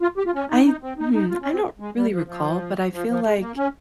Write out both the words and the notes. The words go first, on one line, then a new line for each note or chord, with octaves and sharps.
I hmm, I don't really recall, but I feel like
F4
G4
F4
C#4
D#4
D#4
C4
D#4
D#4
F4
C#4
C4
G#3
G3
F3
F3
F3
F3
G#3
A#3
C#4